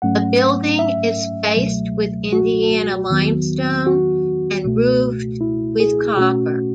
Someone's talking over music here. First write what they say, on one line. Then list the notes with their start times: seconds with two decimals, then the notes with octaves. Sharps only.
The building is faced with Indiana limestone and roofed with copper.
0.02 G#2 F#3 A3 C#4 F#5
0.79 E5
1.56 C#2 B2 F#3 A3
2.33 F#4
3.10 E2 D#3 F#3 B3
3.86 F#4
4.64 C#2 B2 A3
5.41 E4
5.80 G#4
6.17 B2 A3 C#4 F#4